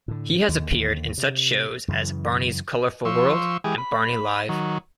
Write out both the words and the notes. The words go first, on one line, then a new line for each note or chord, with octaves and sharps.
He has appeared in such shows as Barney's Colorful World and Barney Live!
A2 D3
D#2 D3
C3
F#2 C#3 E3
F3 C6 C#6 E6
E3 G#3 G4 G#4
B5
D#3 F#3